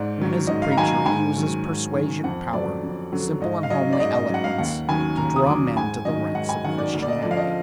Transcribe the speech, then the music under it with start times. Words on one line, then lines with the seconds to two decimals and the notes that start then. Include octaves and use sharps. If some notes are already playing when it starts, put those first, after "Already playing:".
And as a preacher he uses persuasion, power, simple and homely eloquence, to draw men to the ranks of Christianity.
Already playing: G#2 D5
0.18 D#3 F#3
0.47 G#2 D#5
0.62 F5
0.72 A#5
0.77 D#3 F#3 G#5
0.92 A#5
1.06 G#2 G#5
1.36 D#3 F#3
1.65 G#2
1.94 D#3 F#3
2.24 F2 F#5
2.53 D3 F#3 D5
2.83 F2
3.12 D3 F#3
3.41 G#2 D#5
3.63 F5
3.70 F#3 D#5
3.93 D5
4.00 G#2 D#5
4.15 D#5
4.30 F#3 F#5
4.44 F5
4.58 D#2 F#5
4.88 D#3 F#3 G#5
5.17 D#2 A#5
5.36 D#6
5.46 D#3 F#3 D6
5.77 G#2 G#5
6.05 D#3 F#3 D#5
6.34 G#2 F#5
6.49 G#5
6.64 D#3 F#3 F#5
6.78 D5
6.94 D2
7.02 D5
7.08 D#5
7.22 D3 F3 D5
7.31 F5
7.37 D#5